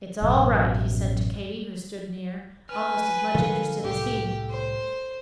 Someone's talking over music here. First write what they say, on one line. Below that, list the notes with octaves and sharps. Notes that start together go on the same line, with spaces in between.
"It's all right," he said to Katy, who stood near, almost as much interested as he.
A1 F#2 B2
B4 G#5 F6
D3 F3 G3 A4 A#4 F5
C2 A2 G4
C5